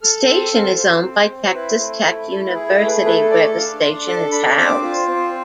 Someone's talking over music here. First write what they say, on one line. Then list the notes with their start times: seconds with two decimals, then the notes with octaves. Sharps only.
The station is owned by Texas Tech University, where the station is housed.
0.02 A4 F6
0.28 C4 E6
0.53 C4 F5
0.78 C4
1.03 C4
1.16 C5
1.29 C4
1.54 E4 B4
1.79 A3
2.04 E4
2.30 E4 A4
2.49 B4
2.55 G#4
2.68 A4
2.81 A3
2.87 B4
3.05 A4 B4
3.31 A4 D5
3.57 D4 F5
3.81 D4 C6
4.07 A4 D6
4.32 D4 B5
4.57 C4 D6
4.82 F4
5.08 C4